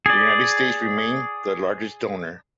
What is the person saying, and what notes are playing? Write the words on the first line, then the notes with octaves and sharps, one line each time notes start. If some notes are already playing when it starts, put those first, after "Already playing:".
The United States remain the largest donor.
G#4 D5